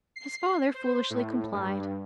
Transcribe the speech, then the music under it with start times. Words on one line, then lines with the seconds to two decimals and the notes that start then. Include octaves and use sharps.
His father foolishly complied.
0.16 C7
0.74 C5
1.10 A2
1.53 G2